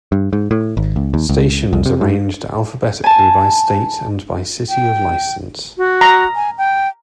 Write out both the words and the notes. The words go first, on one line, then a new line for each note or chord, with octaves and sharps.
Stations arranged alphabetically by state and by city of license.
G2
G#2
A2
G#1
C#2
D#2
C#2
C2
C3
G#2
G#5 A5
G5
F#4
A#5
G#5
G5